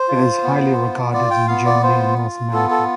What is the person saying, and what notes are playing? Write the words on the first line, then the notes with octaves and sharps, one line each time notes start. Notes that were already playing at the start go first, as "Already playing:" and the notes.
It is highly regarded in Germany and North America.
Already playing: C5
F4
B3
F4
F4 D5
G5
B3 F5
D5
F4 C5
F4
B3 A4
A4